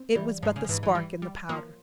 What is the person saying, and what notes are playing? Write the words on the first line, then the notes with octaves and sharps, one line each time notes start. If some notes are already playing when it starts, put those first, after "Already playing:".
It was but the spark in the powder.
Already playing: C4
E3 G3
G#2 F3
C#3
F3
G#2 E3
E3
G3
G3
F3 A#3